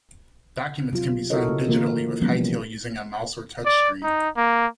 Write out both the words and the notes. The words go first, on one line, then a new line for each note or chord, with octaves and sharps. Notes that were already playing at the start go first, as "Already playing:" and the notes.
Documents can be signed digitally with Hightail using a mouse or touch-screen.
C3 F#3 F4
E4 F#4 A4 A#4 C#5 D#5
C#3
D3 E3 A#3 F4 A#4
E3 F3 G3 A#3 B3 C#4
D5
D#4
A#3